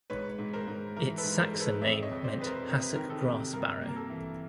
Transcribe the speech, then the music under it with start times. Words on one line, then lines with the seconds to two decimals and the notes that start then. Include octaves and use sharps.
Its Saxon name meant hassock grass barrow.
0.10 G#2 B4 C#5
0.39 G#2
0.53 A#4 C5
0.68 G#2
0.96 E3 A#4
1.18 A4 B4
1.24 G#2
1.38 A#4 C5
1.54 G#3
1.60 A4 B4
1.81 F2 D5 E5
2.03 C#5 D#5
2.10 F2
2.24 C5 D5
2.39 F2 B4
2.46 A#4 C5
2.67 C3 A#4
2.82 B4
2.95 D#3 A#4
3.10 A4
3.25 C3
3.53 G2 A#4
3.81 A#3
3.88 A#4
3.96 A4
4.10 E3